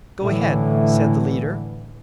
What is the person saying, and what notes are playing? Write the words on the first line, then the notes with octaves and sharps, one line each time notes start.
"Go ahead," said the leader.
A2 D3 E3